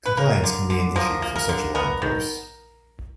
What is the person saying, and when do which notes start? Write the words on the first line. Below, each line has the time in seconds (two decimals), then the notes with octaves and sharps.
Compliance can be an issue for such a long course.
0.06 B4
0.17 A#3 A#4
0.44 D3
0.70 D3
0.96 F3 A#4
1.22 A#3
1.36 A#4
1.49 D3
1.75 B3 A#4
2.02 D#3